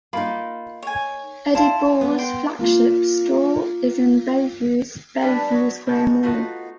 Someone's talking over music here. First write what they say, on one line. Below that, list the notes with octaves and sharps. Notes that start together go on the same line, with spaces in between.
Eddie Bauer's flagship store is in Bellevue's Bellevue Square mall.
A#3 D#4 F4 B5 D6
C#5 G#5
E4 C5 F5 A5
B3
G5 C6
A#3 F4
E3 G3 D4 B4
F#3 B3 F#4
C#3 F3 D#4 F#4
A3 B3 D#4 F4 F#4